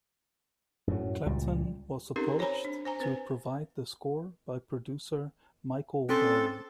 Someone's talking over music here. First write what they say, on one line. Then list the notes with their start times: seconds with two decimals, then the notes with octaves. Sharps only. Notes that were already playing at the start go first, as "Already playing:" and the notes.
Clapton was approached to provide the score by producer Michael Wearing.
0.87 F#2 A2 F#3
1.26 C#2 A#2 G3
2.16 C4 C#4 D#4 G4 A4 A#4
2.39 C5 C#5 G#5 A#5 B5
2.65 D4
2.85 C5 G#5 A#5
3.00 C4 B4 G#5
6.09 C4 C#4 A4 C6